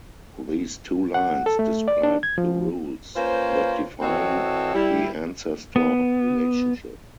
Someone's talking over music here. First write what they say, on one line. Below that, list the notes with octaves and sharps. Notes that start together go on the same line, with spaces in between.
These two lines describe the "rules" that define the ancestor relationship.
F#5
A4
A3
D5
D4
G#6
F3
A#3 C#4 F4 B4 C5
E3 C4 F#4 A4 C#5 D#5
G3 E4
B3